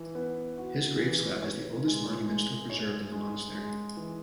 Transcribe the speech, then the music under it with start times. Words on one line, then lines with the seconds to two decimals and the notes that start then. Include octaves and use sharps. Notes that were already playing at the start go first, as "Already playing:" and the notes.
His grave slab is the oldest monument still preserved in the monastery.
Already playing: E3
0.15 B3
0.58 F#4
0.99 E3
1.43 C#5
1.85 G#3
2.27 G#3
2.70 C#5
3.12 G#3
3.55 G#3
3.97 E3